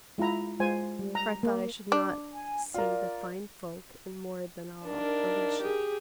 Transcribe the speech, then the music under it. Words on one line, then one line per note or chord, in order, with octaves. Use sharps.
For I thought I should not see the fine folk and, more than all, Alicia.
G#3 E4 F4 A#5
G#3 F4 C5 G#5
G3
A#5
A#3
D4
G#5
F4 A#4 D5
G2 D4 D#4 A#4
G4 G#4